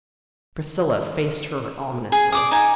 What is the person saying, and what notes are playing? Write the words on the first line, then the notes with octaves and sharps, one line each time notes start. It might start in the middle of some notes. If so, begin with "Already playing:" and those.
Priscilla faced her ominously.
G#4
D5 D6 D#6
D#4 G#5